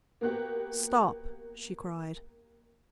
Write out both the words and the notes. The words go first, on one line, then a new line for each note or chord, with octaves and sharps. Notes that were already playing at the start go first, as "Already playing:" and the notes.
"Stop!" she cried.
A#3 B3 F#4 G4